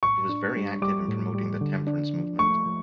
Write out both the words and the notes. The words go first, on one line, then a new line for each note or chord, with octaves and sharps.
He was very active in promoting the temperance movement.
A2 C#6
D4
G3
G3 D6
A2
G3
D3
D4
F3
A3 C#6
F3